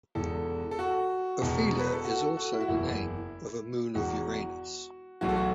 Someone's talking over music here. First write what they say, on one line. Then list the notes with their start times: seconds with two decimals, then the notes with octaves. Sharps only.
Ophelia is also the name of a moon of Uranus.
0.15 E1 E2 E3 A4
0.71 A4
0.79 F#4
1.42 E1 E2 B2
1.79 B4
1.92 A4
2.05 F#4
2.21 A4
2.37 F#4
2.53 E4
2.61 F#4
2.68 F#1 E2 E3 E4
3.95 E1 E2 E3 F#4
5.21 B1 A2 E3 F#4
5.29 A4
5.36 F#4